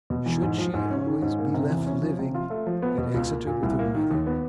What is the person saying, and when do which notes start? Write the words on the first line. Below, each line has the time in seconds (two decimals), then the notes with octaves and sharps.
Should she always be left living at Exeter with her mother?
0.10 B2
0.26 E2
0.42 G#2
0.58 F3
0.74 G#2
0.90 C#4
1.06 D#3
1.22 G#2
1.38 A#3
1.54 C3
1.70 E2
1.86 C#4
2.02 F3
2.19 C3
2.34 F4
2.50 A3
2.67 F3
2.82 B3
2.98 B2
3.14 C#2
3.31 A#3
3.47 A#2
3.62 C2
3.79 A#3
3.95 D#3
4.11 D#2
4.27 B3